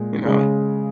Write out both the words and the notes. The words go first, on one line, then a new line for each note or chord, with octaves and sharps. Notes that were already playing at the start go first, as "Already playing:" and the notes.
you know.
Already playing: A#2 G#3
C#3 G#3